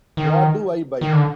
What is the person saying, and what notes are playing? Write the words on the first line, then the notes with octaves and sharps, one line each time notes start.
What do I buy?
D#3
D#3
D3